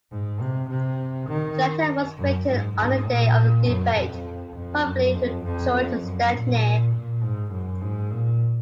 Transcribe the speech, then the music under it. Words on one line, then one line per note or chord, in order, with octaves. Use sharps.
The letter was written on the day of the debate, probably to George Stepney.
G#2
C3
C3
D#3
F#2
G#2
G#2
A#2
F#2
F2
F2
F#2
F2
F2
F#2
A#2
A#2
G#2
F#2
G#2
A#2